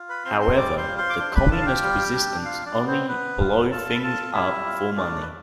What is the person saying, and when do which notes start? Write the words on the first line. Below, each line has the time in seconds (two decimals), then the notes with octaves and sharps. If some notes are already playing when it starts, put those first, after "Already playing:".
However, the communist resistance only blow things up for money.
Already playing: F4
0.09 B4 B5
0.25 C4 C5 C6
0.41 C5 C6
0.56 G3 D5 D6
0.78 C5 C6
0.88 F4
0.98 C5 C6
1.10 D6
1.19 D4 C5 C6
1.35 B4 B5
1.51 F4 A4 A5
1.61 F5
1.66 G4 G5
1.82 G3
2.14 D4
2.45 F4 F5
2.66 D4 D5
2.77 B3
2.88 C4 C5
3.08 B3 B4
3.40 F4
3.71 F4 A4 A5
3.95 B5
4.02 F4 A4 A5
4.34 G3 E4 E5
4.66 F4
4.96 A3 D4 D5
5.21 B4